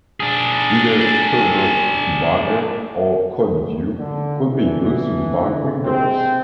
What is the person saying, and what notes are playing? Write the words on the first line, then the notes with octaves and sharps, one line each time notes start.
Either Turbo Debugger or CodeView could be used to debug Windows.
D4 G#4
D3
D3 E3
C3 G#3 C4